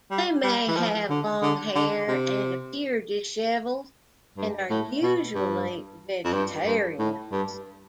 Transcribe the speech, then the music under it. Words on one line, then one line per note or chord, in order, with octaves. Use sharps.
They may have long hair and appear disheveled, and are usually vegetarians.
G3
G3
E3
F3
D3
D3
D3
C3
G2
A2
B2
G2
F2
G2
G2
A2
G2